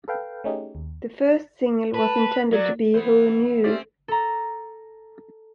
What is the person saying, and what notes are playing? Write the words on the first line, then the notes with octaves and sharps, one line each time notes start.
The first single was intended to be Who Knew.
A4 B4 F5 G5
A3 C#4 D#4 G4 G#4
D#2
B4 A5
F#3 D5
E3 B3 C5
C4 C#4 G4 D5 E5
A4 A#5